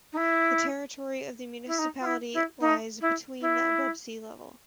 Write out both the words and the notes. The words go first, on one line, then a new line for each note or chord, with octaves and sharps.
The territory of the municipality lies between above sea level.
D#4
E4
E4
D#4
F4
E4
E4
D#4
E4
E4